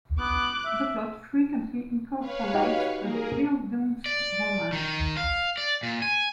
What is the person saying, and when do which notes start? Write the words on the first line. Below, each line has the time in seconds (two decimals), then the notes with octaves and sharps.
The plot frequently incorporates a "bildungsroman".
0.19 B3 D6 F#6
0.65 E5
2.19 B4 C#5 F5
2.54 D#4 F#4 G4
2.99 A#3 G#4 A#4
4.06 D5
4.72 D#3
5.17 F5
5.58 D5
5.83 A#2
6.02 G#5